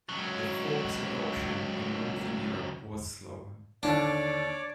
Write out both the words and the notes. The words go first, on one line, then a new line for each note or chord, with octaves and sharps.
The fork's adoption in northern Europe was slower.
C#2 F#3
D#2 D3 D4 C#5 D5 D6